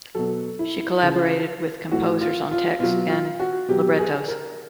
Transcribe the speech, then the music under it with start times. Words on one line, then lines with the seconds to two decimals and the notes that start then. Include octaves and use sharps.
She collaborated with composers on texts and librettos.
0.15 B2 F#3 A4
0.59 E4
1.03 C#3 E3 F4
1.92 A2 E3 F#4
2.21 F4
2.51 F4
2.80 B2 F#3 F4
3.09 F4
3.40 F#4
3.68 B2 F#3 G4
3.99 G#4
4.28 A#4